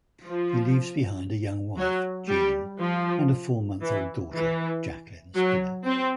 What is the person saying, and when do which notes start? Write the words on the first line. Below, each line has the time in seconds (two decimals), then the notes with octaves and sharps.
He leaves behind a young wife Jean and four month old daughter Jacqueline Spillett.
0.25 F3
1.78 F#3
2.28 G3
2.80 F3
3.82 E3
4.33 E3
5.36 F#3
5.86 C4